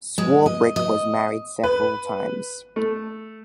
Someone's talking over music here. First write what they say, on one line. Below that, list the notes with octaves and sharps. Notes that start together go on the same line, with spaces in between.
Swarbrick was married several times.
G#3
D#5
D#5
B4
A3